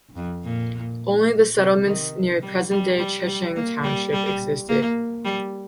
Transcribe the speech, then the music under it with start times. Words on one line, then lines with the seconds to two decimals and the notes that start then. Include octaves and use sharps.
Only the settlements near present-day Checheng Township existed.
0.16 F2
0.44 A#2
1.57 C3
1.86 D#3
2.42 G3
2.71 G3
2.99 G3
3.27 G3
3.56 A#3
3.83 G3
4.12 G3
4.68 A#3
5.25 G3